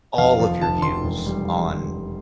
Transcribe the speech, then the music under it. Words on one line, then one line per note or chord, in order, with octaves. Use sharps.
all of your views on
F1 F5
F3
F1 A5
F1 C6
E1
G3